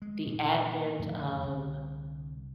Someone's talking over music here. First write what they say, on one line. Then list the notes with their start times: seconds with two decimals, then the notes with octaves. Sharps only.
the advent of
0.02 G#3
0.27 A#2
0.99 F2 A2 D3 A3
1.43 C2 D3